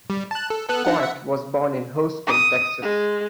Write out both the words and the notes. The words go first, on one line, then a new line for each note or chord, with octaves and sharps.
Foyt was born in Houston, Texas.
G3
A5 F#6
A4
B3 A4 F#6
D4 D#4 F#5
E5 F#5
D#6
G#3